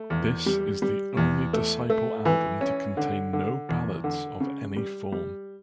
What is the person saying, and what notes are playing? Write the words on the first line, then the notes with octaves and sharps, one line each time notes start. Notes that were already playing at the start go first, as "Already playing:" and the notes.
This is the only Disciple album to contain no Ballads of any form.
Already playing: A3
E2
G3
G3
E2
A3
A3
E3
C#4
D3
D3
E2
D3
C#3
G3
G3